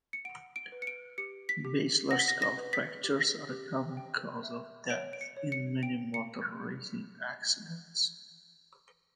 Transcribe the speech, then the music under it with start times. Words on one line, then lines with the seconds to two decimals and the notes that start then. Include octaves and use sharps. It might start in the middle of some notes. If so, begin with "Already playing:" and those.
Basilar skull fractures are a common cause of death in many motor racing accidents.
0.13 C#7
0.25 F#5 D7
0.56 D7
0.72 B4
0.82 C#7
0.87 D7
1.18 G4 C#7
1.49 B6
1.65 G4
2.11 F#5 A#6
2.19 B6
2.28 A#6
2.42 A#6
2.57 B4
2.73 B6
3.04 G4
3.50 G4
3.97 G5
4.43 E5
4.90 C#5 D7
5.13 D7
5.21 C#7
5.37 C#5
5.52 C#7
5.83 G5 D7
6.14 C#7